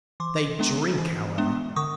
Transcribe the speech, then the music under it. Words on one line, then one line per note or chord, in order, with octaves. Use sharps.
They drink, however.
E3 C6 D6
G#3 B3 D4
E3
G#3 B3 D4
D3 C#6 D#6